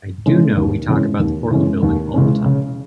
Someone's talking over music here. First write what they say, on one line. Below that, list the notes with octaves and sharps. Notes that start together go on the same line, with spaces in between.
I do know we talk about the Portland Building all the time.
C#3 E3 G#3 C#4
D#2
C#3 E3 G#3 C#4
D#2
C#3 E3 G#3 C#4
D#2
C#3 E3 G#3 C#4
C#3